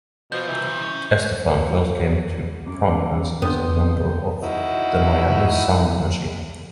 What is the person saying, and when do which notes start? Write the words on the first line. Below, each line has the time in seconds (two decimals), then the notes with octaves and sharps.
Estefan first came to prominence as a member of the Miami Sound Machine.
0.32 B2 F4 C5 G6
0.48 C2 E3
0.69 C3
0.83 C#4
1.70 F#4
2.67 F#2 D6
3.42 A#1 D3 B3 C5 G5 D#6
4.43 D#4 E4 F#4